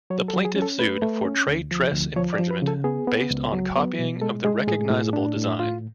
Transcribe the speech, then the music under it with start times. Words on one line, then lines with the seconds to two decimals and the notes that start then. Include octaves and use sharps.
The plaintiff sued for trade dress infringement based on copying of the recognizable design.
0.10 F#3 C#5
0.28 A4
0.34 F#3
0.45 G#4
0.56 C#4
0.62 A4
0.79 A3 B4
1.02 A3
1.25 C#4
1.48 D2
1.71 F3
1.93 D2
2.16 F3 C#5
2.33 D5
2.39 F3
2.51 B4
2.62 C#3
2.68 A4
2.84 B3 G#4
3.08 B3
3.31 C#2
3.53 F#3
3.76 B3
3.99 B2
4.21 G#3 A4
4.44 G#3 G#4
4.67 A2 G#4
4.90 A2
5.13 D4
5.36 A2
5.60 F4